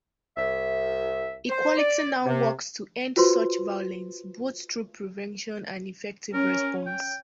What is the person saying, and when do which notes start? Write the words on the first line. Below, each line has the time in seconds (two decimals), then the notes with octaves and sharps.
Equality Now works to end such violence both through prevention and effective response.
0.37 C2 E5
1.49 C5
1.77 D5
2.26 C3
3.16 F4 F#4 B4 C5 C6
6.34 C#4 A#4
6.86 G5